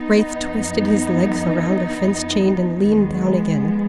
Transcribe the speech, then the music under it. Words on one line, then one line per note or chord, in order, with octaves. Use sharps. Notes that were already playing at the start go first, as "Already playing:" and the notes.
Braith twisted his legs around a fence-chain and leaned down again.
Already playing: B3 D#4
F#2 F3
F2 D3 F3
F2 F3
D#2 D#3 G#3 B3
G#2 F3